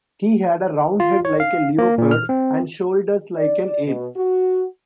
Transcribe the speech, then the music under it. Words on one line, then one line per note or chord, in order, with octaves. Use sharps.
He had a round head like a leopard and shoulders like an ape's.
F4
C#5
F5
A#3
A#2
F6
C4
D5
B2
F#4